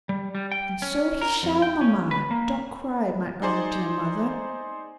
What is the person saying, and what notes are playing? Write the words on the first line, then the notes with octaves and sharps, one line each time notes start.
'And so he shall, mamma; don't cry, my own dear mother.
G3
G3
G5
C#4
A#4
F2
G5
C#4
B4
A#3
D#4 G#4 C5 D5